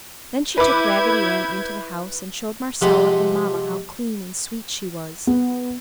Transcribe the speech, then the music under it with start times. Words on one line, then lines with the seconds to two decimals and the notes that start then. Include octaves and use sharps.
Then she took Raggedy Ann into the house and showed Marcella and Mamma how clean and sweet she was.
0.58 E4 B4 D6 G6 G#6
2.81 C3 F3 G#3 G4 F#5 B5
5.27 B3